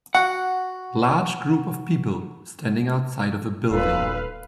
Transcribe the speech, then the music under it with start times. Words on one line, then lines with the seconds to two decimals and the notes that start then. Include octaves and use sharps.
Large group of people standing outside of a building.
0.15 F#4 F#5
3.71 D#1 B1 A#2 A4 B4 F5